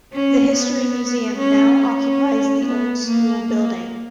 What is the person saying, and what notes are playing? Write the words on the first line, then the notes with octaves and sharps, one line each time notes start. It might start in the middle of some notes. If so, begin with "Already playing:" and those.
The history museum now occupies the old school building.
C#4
B3
C#4
C#4
B3
A#3
A#3